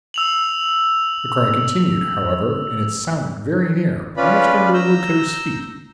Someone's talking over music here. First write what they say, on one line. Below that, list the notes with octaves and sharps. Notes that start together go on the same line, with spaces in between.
The cry continued, however, and it sounded very near, almost under the woodcutter's feet.
E6 F7 F#7
C#4 F4 B4 D5 B5
A#5 E6 G6